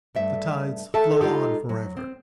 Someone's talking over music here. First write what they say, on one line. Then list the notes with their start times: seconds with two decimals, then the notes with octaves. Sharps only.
The tides flow on forever.
0.15 G2 A3 E5
0.94 A4 A#4 E5 A5
1.21 G#3 D#4 F4 G4 A4
1.69 F#3
1.97 C4